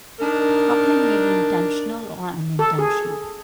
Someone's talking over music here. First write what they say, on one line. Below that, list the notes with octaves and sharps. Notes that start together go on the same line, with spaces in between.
Coupling may be intentional or unintentional.
D4 D#4 A#4
A4
G#4